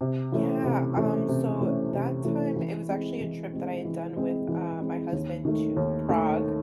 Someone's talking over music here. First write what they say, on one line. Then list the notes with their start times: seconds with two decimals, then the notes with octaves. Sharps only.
Yeah, um, so that time it was actually a trip that I had done with, uh, my husband to Prague,
0.01 C3
0.32 E3 A3 C#4
0.64 C3
0.97 E3 A3 C#4
1.28 C3
1.61 E3 A3 C#4
1.93 C3
2.25 E3 A3 C#4
2.56 E3
2.88 G#3 C4
3.21 E3
3.53 G#3 C4
3.85 E3
4.16 G#3 C4
4.48 E3
4.80 G#3 C4
5.13 D#2
5.45 D#3 A3
5.76 D#2
6.09 D#3 A3